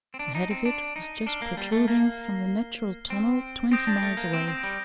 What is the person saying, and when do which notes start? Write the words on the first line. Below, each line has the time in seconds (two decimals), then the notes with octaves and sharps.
The head of it was just protruding from the Natural Tunnel twenty miles away.
0.14 C4
0.19 D4
0.35 D#4
0.50 C4
0.65 D4
0.96 D#4
1.27 D4 F6 C7 G7
1.42 A#3
1.57 G3
1.72 A3
1.88 A#3
3.10 C4
3.71 C4 D#6 G6 A#6 D7
3.87 D4
4.02 A3
4.17 A#3
4.33 C4
4.48 C4
4.63 G3